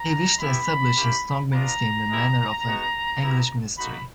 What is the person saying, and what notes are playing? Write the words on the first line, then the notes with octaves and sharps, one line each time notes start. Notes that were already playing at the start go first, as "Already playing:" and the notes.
He wished to establish a strong ministry in the manner of an English ministry.
Already playing: A#5
B3 E4 G4 B5
A#3 C#4 E4 G4
B3 D4 F4 A#5
G#3 B3 E4 G4
G#3 B3 D#4 F#4
B3 E4 G4
A#3 D#4 F#4 B5